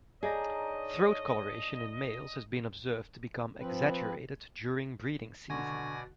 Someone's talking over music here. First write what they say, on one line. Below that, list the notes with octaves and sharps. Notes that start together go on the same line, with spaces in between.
Throat coloration in males has been observed to become exaggerated during breeding season.
D4 D#4 G#4 C#5 D#5 A#5
F3 C4 B4
B2 D3 D5 G#5 C#6 A#6